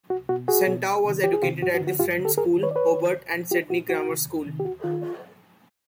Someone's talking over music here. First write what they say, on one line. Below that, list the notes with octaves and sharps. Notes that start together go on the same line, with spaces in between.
Santow was educated at The Friends' School, Hobart and Sydney Grammar School.
C2 F#4
B2 F#4
C2 F#4 G#4
B2
C2
C3 D#3
C2 G4
G#4
C3 D#3 F4 G4
G2 F#4
F#4
D3
F#4
G2 F4 G4
D3
G4 A4
F#2 G#4 A#4
D#3
B4 C#5
D5
F#2 B4 C#5
D#3
C2
A#2
C2 F4 G4
A#2 F#4
F2 F#4
C3 D#3
F2
C3 D#3
G4
D#2 F#4
D#3 F4